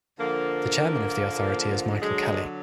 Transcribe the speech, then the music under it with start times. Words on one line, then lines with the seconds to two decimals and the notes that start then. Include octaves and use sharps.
The Chairman of the Authority is Michael Kelly.
0.18 D3 F3 A#3
2.01 D3 F#3 G#3